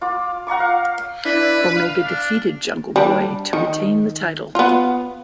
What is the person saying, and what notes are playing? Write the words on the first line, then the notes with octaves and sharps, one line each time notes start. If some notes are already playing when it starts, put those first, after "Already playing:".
Omega defeated Jungle Boy to retain the title.
F4 D6
F#5 A#5 C#6 D6
F5
D4 E4 B4
F5
D4
G3 D4
D#3
B3 F4